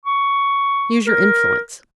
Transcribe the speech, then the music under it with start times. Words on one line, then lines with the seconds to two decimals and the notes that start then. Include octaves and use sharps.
Use your influence.
0.05 C#6
1.06 A#4